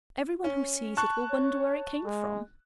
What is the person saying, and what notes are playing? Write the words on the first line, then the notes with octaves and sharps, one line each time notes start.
"Every one who sees it will wonder where it came from."
C#4
A5 C#6 F#6
C#5
G#3